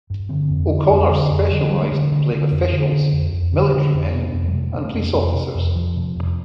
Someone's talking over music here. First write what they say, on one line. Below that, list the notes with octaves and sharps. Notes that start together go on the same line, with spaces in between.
O'Connor specialized in playing officials, military men, and police officers.
G2
D3 C4
F2
D3
F2
D3
F2
D3 G3
F3
D3 G3
A3
D3
D3
D3
F2
D3
D3
F2
F2
D3
D3
F2 D4
C3
C4
F2
G3
C3 A3
C3
A3
F2
F2
C3
F2
F2 F3
C3
F2